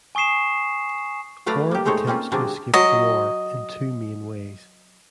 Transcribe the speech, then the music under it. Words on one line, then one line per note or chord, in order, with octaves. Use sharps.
Orr attempts to escape the war in two main ways.
G#5 C#6 D#6 C7 E7
F#3 A3 B4 D5 F5 A#5
A#3 G4
B2 G#3 A3 D#4 C5 C#5
A#3 C4 C#4 F4
C3 F#3 G#3 A#3 C4 D4
F#3 D#5